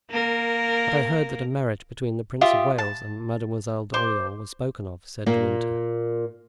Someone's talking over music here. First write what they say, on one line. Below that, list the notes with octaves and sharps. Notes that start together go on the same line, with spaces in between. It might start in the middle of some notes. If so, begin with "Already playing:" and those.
"But I heard that a marriage between the Prince of Wales and Mademoiselle d'Orleans was spoken of," said De Winter.
A#3 A#4
F4 G4 E5 D#6
A5
C5 D6
A#2 A#3